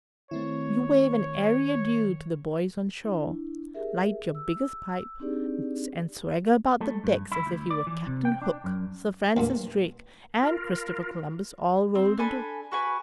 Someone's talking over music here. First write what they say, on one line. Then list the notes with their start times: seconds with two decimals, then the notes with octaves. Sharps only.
You wave an airy adieu to the boys on shore, light your biggest pipe, and swagger about the deck as if you were Captain Cook, Sir Francis Drake, and Christopher Columbus all rolled into one.
0.31 D#3 A3 C4 E4 C#5
3.04 D4 E4
3.74 G4 G#4 A#4 E5
4.35 E6
5.20 C4 D4 D#4 G4 G#4 D5
6.81 A3
7.04 G2
7.32 E4
7.46 D2
7.70 D5
7.87 E3
8.07 C3
8.25 G5
8.42 D4
8.64 F#2
9.37 E2 G2 A#2
10.43 F4 A#4
11.95 C4
12.18 D4 A4 G#5 B5
12.71 F#4 B4 G#5